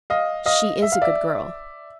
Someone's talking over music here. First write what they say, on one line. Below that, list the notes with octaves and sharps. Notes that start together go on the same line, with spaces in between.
"She is a good girl."
D#5 F5
D#5 F5
E5
F5
D5 E5